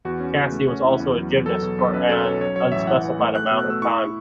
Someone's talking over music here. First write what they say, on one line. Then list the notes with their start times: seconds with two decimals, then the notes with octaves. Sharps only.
Cassie was also a gymnast for an unspecified amount of time.
0.05 E2 F#4
0.20 C#4
0.36 C#3
0.52 A3
0.68 C#4
0.83 E4
1.00 E2
1.16 F#3
1.30 E2
1.46 F#3 A4
1.62 B2
1.78 B1
1.94 C#4 B4
2.09 B2 A4
2.25 C#4 C#5
2.41 F#3 C#5
2.56 F#3 C#5
2.72 A1 E5
2.87 E3 F#5
3.04 E3
3.19 A3
3.35 A3 F#6
3.46 E6
3.51 B2
3.59 F#6
3.66 A3 E6
3.82 E4 C#6